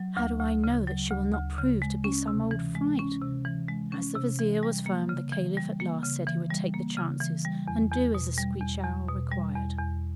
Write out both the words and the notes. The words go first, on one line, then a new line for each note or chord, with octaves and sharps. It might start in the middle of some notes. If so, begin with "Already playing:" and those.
"How do I know that she will not prove to be some old fright?" As the Vizier was firm, the Caliph at last said he would take the chances and do as the screech owl required.
Already playing: F#3
D2
D2
C#3
F#3
D2
D2
C#3
G#3
C#4
C3
E3
G#3
C#4
C3
E3
G#3
C#4
C3
E3
G3
A#3
C#3
E3
G3
A#3
C#3
E3
G3
A#3
C#3
E3
G3
E2
E2
B2
G3
E2
E2
B2
G3
E2
E2